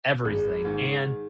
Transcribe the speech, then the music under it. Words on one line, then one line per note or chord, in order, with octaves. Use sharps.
everything, and
G#1 G#4
G#2 D#3